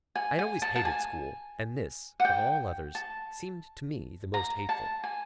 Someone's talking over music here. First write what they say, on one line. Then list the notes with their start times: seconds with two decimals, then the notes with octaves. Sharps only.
I had always hated school; and this, of all others, seemed to me the most hateful.
0.15 G#5
0.39 G#5
0.62 A5
0.76 A5
0.85 G#5
2.20 F#5
2.25 G5
2.95 A5
4.34 A#5
4.69 A5
5.04 G#5